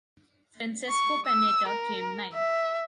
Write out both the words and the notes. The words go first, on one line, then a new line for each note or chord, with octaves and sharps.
Francesco Panetta came ninth.
C#6
E6
A#4
E5